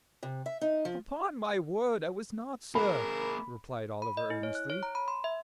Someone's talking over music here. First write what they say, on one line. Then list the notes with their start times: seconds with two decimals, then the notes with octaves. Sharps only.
'Upon my word I was not, sir,' replied Oliver, earnestly.
0.23 C3
0.46 E5
0.61 D#4
0.85 F3
2.75 A#3 G#4 A#4 B5
4.02 B5
4.17 D#5
4.30 E4
4.43 C#5
4.55 F#6
4.70 C#5
4.83 A#5
4.95 B5
5.08 C6
5.24 E5